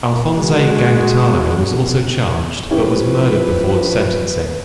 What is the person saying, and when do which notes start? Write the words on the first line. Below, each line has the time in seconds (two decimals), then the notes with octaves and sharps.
Alphonse Gangitano was also charged but was murdered before sentencing.
0.34 G#3 F#4
2.71 F3 C#4 E4 G4 B4